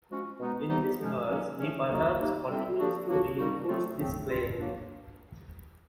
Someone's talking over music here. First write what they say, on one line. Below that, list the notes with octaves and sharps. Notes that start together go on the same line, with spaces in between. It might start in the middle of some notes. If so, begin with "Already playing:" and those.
In this verse he perhaps continues to reinforce this claim.
F3 G#3 C#4 F#4
B2 G#3 B3 D#4
C3 E3 G3 B3 D#4
D3 F3 G#3 C#4
D#3 F#3 A#3 C#4
A2 F3 A3 C#4
D3 F#3 A#3 D#4 F#4
G3 A#3 D#4
D3 G3 C4 E4
D3 F3 A#3 D4 F#4
F#3 A#3 D4 F#4
D#3 G3 A#3 D#4 F#4
D3 F#3 A3 C4 F4
C#3 F3 A3 C4
G3 C4 F4
F#3 A#3 D4